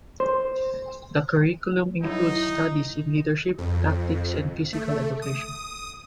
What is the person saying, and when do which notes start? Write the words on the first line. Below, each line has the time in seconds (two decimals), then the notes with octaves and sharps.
The curriculum includes studies in leadership, tactics and physical education.
0.20 C5
2.03 F#3 D#4 E4
3.58 F2
4.73 A3
5.22 D#6